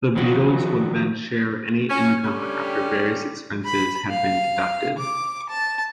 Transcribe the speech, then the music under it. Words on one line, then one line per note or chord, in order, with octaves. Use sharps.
The Beatles would then share any income after various expenses had been deducted.
D#3 F3 F#3 F#4 G4
C#4
D3 G3 C#4 G4
B5
F5
D6
A5